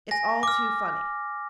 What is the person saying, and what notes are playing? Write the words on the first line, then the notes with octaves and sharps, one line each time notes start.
It's all too funny.
G#5 A#6
D6 F6